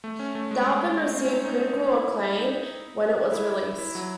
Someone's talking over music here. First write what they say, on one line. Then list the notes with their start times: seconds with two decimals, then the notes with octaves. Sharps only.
The album received critical acclaim when it was released.
0.04 A3
0.19 C#4
0.35 A3
0.51 G#3
0.97 A3
1.09 C4
1.21 C#4
1.33 D#4
1.45 D#4
1.92 E4
2.38 D#4
3.32 E4
3.78 E4
3.95 F#3